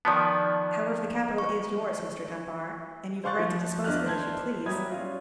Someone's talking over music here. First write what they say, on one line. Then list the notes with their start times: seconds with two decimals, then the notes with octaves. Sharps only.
However, the capital is yours, Mr. Dunbar; and you've a right to dispose of it as you please.
0.05 D#3 F3 B3 D5 A5
1.38 C#6
3.24 C5 F5 C6 C#6 F#6 A6
3.39 F3
3.84 E2 D4 D#5 F6 F#6
4.06 C5 A5 G#6
4.65 F#3 G3 E5 D#6 G#6
4.92 C#4 F4